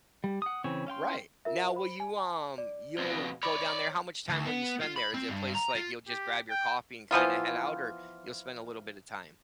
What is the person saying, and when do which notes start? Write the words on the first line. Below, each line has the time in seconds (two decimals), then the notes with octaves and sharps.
Right. Now, will you, um, you'll go down there. How much time will you spend there? Is it a place like you'll just grab your coffee and kinda head out, or you'll spend a little bit of time?
0.24 G3
0.42 F#5 D#6
0.64 C#3 E3 C4 C#5
0.87 C#4 F5 G5 C6
1.45 F4 A#4 E5
1.74 C5 B5
2.00 G#5
2.58 D5
2.98 F2 B2
3.43 C#5 D5 B5
4.29 D2
4.45 B3
4.81 F4
4.96 B5
5.14 C4
5.29 G2
5.55 A#5
5.76 F4
6.08 G4
6.50 G5
7.11 E3 F3 B3 F4